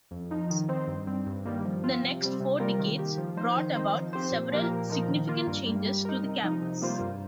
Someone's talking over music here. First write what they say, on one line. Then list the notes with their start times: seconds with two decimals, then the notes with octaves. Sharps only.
The next four decades brought about several significant changes to the campus.
0.11 F2
0.31 F3 D#4
0.50 D#3
0.69 C4 D#4 C5
0.88 G2
1.07 G3 C4
1.26 G2
1.46 D#3 G3 A#3
1.65 F3
1.84 C4 F4
2.03 C3
2.22 G3 C4
2.41 C3
2.60 G3 C4 F4 A#4
2.79 D#3
2.98 A#3 G4
3.18 F3
3.37 D#4 C5
3.56 D#3
3.75 C4 D#4 C5
3.94 F3
4.13 C4 G4 C5
4.32 A#2
4.52 F3 A#3 G4 A#4
4.70 A#2
4.89 F3 D#4 A#4
5.08 D#3
5.28 A#3 F4 A#4
5.47 G2
5.66 G3 A#3
5.85 G3
6.05 D#4 A#4
6.24 C3
6.43 F3 D#4
6.62 C3
6.82 G3 A#3 F4 C5
7.00 G2